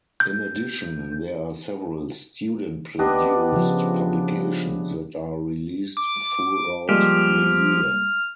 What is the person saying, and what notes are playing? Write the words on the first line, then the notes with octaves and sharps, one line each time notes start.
In addition, there are several student-produced publications that are released throughout the year.
G6
B3 D4 G4 D#5
C#3 F3
D6
F3 G3 G#3 A#3 G4 F6